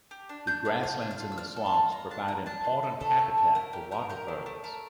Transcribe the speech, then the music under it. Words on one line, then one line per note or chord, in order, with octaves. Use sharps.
The grasslands in the swamps provide important habitat for waterbirds.
G4
D4
D4 G6
D4 G6
F4 F6
D4
F6
F4
E6
D4 F6
A4
A5
F4
F4 A#5
D4 A5
D4 A#5
D4 A5
F4
A4
A3 A4
A3
E4
A3 A#4
G4 A#4
G4 A#4
G4 A#4
A3
A3
A3 A#4